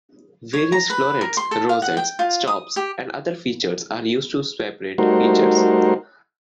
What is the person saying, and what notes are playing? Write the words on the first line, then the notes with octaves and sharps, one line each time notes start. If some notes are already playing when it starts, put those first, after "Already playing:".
Various florets, rosettes, stops, and other features are used to separate features.
C#5
A#5
B4
A#4
C6
A4
F5
F#5
G5
F4
D#6
G4
G3 A3 D#4 F#4 A#4 C5